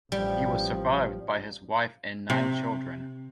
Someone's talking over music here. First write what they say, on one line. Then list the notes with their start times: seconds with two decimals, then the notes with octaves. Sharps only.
He was survived by his wife and nine children.
0.12 A1 F3 G3
2.30 C3